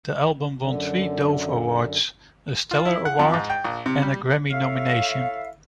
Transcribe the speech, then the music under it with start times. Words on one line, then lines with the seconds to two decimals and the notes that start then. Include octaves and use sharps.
The album won three Dove Awards, a Stellar award and a Grammy nomination.
0.59 F#2 D3
2.71 F4
2.85 E4
3.05 F#5
3.19 F2
3.34 G#2
3.50 G5
3.64 A#1
3.86 C3
4.02 G3
4.51 E4 A4 C#5 E5 F5